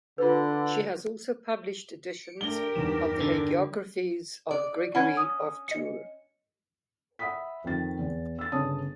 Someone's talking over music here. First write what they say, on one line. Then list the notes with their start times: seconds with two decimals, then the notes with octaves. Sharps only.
She has also published editions of the hagiographies of Gregory of Tours.
0.18 D3 F4 B4
2.11 C#7 D7
2.41 A3 D4 G4 A#4 A#6 G7
2.75 E2 G2 D#3 D4 D6 E7
3.21 D3
4.51 D5
4.95 C#4 F#5 B5 G#6
5.17 D#6
5.68 D#5 C#7
7.19 E5 F#5 B5 D#6 B6
7.64 F2 D#3 A6
7.99 E2
8.39 E6 A6
8.52 G1 C#3 C#5 A5 D#6